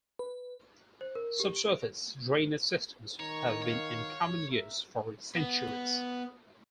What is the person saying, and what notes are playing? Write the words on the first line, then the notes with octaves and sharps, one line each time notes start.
Subsurface drainage systems have been in common use for centuries.
B4
C5
A#4
G4
D7
D#3 C#5 A#5
F#4 C#5 F5
A#4 E5
B3